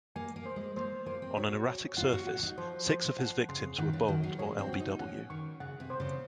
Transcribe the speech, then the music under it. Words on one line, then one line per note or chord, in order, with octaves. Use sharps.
On an erratic surface, six of his victims were bowled or lbw.
A#3 G#5
A#3
C5
G#3
A#3 C5
A#3 C5
C4
F#4 C#5
C#5
F4 F#5
F#4
F#5
D#4
F3 C5
C5
F3 F#5
C#3 C6
D#3 F#5
C#3
D#3 F#4
F#3
G#3 C#5
C4
C#4 F#4
D#4
C#4 F#5
D#3 C#6
C#3 F#5
C3
C5
C#3